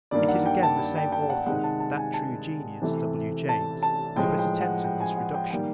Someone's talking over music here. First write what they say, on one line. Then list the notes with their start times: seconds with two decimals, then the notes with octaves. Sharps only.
It is again the same author, that true genius, W. James, who has attempted this reduction.
0.11 G2 D#3 G3 A#3 D5
0.29 F#5
0.46 G5
0.63 A5
0.97 G5
1.12 G5
1.30 F#5
1.46 C3 D#3 G#3 F#5
1.64 A5
1.80 A5
1.97 G#5
2.14 A5
2.82 C3 E3 A3
3.49 A5
3.83 A5
4.16 A2 F3 G#3 G5
4.39 G5
4.61 F#5
4.84 G5
5.00 G#5
5.17 F#5
5.34 G5
5.50 D#3 G3 A#3 G5